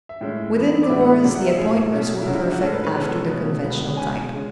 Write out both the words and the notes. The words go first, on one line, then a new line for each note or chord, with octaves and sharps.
Within doors the appointments were perfect after the conventional type.
E5
A2 G#3 C#4
F#2 E3 B3
D5
A2 E3 G#3 B3 E5
F#5
E5
F#2 C#3 F#3 D5
F#5
E5
A2 F#3 A3 G#4
B2 A3 C#4
E4
F#2 C#3 F#3 C#4 F#4
E4
D4
F#4
A2 G#3 C#4 A4
B4
B4
B2 G#3 C#4 B4
A4
B4
B2 A3 C#4
C#2 B2 G#3 B3
B2 G#3 C#4 G#5
C#3 G#3